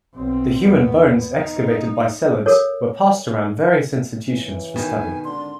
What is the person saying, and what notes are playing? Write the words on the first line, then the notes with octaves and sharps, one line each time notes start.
The human bones excavated by Sellards were passed around various institutions for study.
B1 C4
E2 B3
D#4
A4 A#4 C#5
C#3 E3
B2 D#3 G#5
G#1 D3 D4 C6